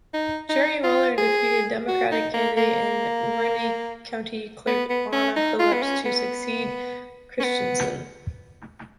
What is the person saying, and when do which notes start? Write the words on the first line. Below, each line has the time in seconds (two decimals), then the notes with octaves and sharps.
Jerry Weller defeated Democratic candidate and Grundy County Clerk Lana Phillips to succeed Christensen.
0.14 D#4
0.49 D#4
0.83 F4
1.18 G#4
1.88 F#4
2.12 D#4
2.34 A#3
2.57 A#3
4.67 B3
4.90 B3
5.12 C#4
5.36 D#4
5.59 F4
5.73 B3
5.82 C#4
6.06 B3
7.40 C#4
7.44 B3